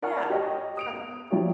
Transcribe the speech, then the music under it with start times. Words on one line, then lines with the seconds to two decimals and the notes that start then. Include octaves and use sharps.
Yeah, it's the government,
0.02 A#4 D5 F#5 G#5 C#6 F6
0.30 G4 C#5 D#5
0.77 D#6 D7 F7
0.93 B3
1.30 F3 F#3 E4 G4 C#5 D5